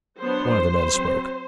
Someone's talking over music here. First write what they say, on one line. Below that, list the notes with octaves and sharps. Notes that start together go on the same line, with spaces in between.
One of the men spoke.
F#3 B3 D4 C5
F#3 C4